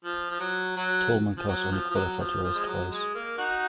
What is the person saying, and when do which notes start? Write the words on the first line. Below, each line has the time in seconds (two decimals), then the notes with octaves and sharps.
Toleman cars only qualified to race twice.
0.04 F3
0.30 F3
0.40 F#3
0.76 F#3
1.37 F3
1.48 F#3
1.71 F3
1.90 F3
1.95 F#3
2.19 F3
2.43 F3
2.55 G#3
2.67 F#3
2.90 G#3
3.15 A#3
3.38 D#4 F#4